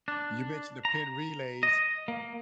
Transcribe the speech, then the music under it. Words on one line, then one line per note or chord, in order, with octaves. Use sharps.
You mentioned the pin relays.
D4
A#5
D#5
A#3